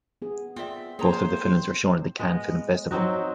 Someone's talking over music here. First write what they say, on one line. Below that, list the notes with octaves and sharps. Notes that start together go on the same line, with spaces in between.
Both of the films were shown at the Cannes Film Festival.
B3 G#4
B3 C4 F4 D5 E5
A#3 C4 G#4 C5 C#5 A#5
G#3 B3 D#5
F#3 C4 D#4 F#4